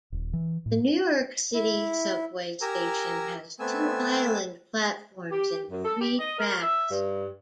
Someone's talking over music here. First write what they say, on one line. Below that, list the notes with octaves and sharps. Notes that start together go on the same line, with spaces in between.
The New York City Subway station has two island platforms and three tracks.
D#1
E3
A2
E4
G4 A#4 G#5 A#5 E6
A3 B3 C4 G#5 E6
G4
F#2
A4
G4
D#5
A#4
E5
G2